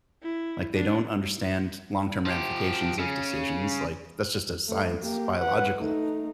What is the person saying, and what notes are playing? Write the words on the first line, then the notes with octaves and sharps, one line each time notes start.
like, they don't understand long-term ramifications of decisions, like, that's just a science biological
E4
D4
F3 G4
C#3 C#4
A3
A#3 G4
B4 F#5
A3 D#4